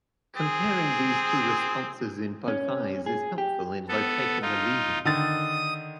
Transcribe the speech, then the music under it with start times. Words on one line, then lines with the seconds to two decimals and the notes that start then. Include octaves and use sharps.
Comparing these two responses in both eyes is helpful in locating a lesion.
0.37 C4 G#4
2.48 C#4
3.06 G#4
3.38 G4
3.88 B3 A4
4.42 D#4 F4
5.05 D3 D#3 D#6 A6